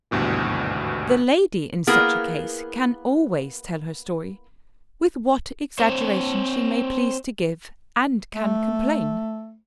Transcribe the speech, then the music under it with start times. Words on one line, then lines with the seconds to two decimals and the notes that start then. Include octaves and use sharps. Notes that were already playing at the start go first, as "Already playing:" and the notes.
The lady in such a case can always tell her story, with what exaggeration she may please to give, and can complain.
0.11 G#1 D2 G2 B2 E3
1.87 A#3 B3 E4 G#4 A#4
5.79 C4 C5 C#5
8.34 A3